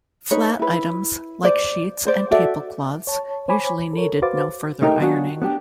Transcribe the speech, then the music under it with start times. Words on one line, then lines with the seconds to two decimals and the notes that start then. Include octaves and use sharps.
Flat items, like sheets and tablecloths, usually needed no further ironing.
0.31 D#4 B4 C#5
0.59 E4 B4
1.43 C5 D5
2.06 C5 D5
2.31 F#4 A4 D5 E5
3.07 C#5 A5
3.48 C5 C#5 G#5 B5 D6
3.93 A4 A#4 C#5
4.22 F#4 B4 C5 F5 D6 A6
4.82 A3 D#4 G4 A#4
5.00 F#3 B3 C#4 D4 F4 F#4
5.42 B3 D4 G4